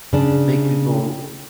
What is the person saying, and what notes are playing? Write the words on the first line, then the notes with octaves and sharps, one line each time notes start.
make people
C#3 D4